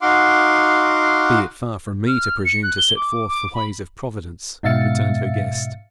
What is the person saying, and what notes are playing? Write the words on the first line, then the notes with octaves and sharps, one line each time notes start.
'Be it far from me to presume to set forth the ways of Providence!' returned her guest.
D#4 F#4 F5 F#5 C6 D6
F6
C#7
F#6
G7
D6
D6
B5
G#2 B2 E5 F5 A6 C#7